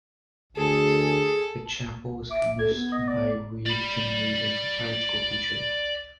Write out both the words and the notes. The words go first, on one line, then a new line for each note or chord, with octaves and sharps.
The chapel was commissioned by Jim Reed, a retired schoolteacher.
D2 G#4 A4
E5 D6
A4 G#6
B3
D#5
D5
D5 B5